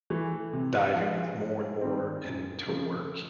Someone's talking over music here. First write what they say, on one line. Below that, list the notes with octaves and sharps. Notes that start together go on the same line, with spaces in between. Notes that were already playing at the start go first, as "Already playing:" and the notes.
diving more and more into work
E3 A3
C3
F3 G#3
G#2
D#3 G3 C4
F#2
C#3 F3 A3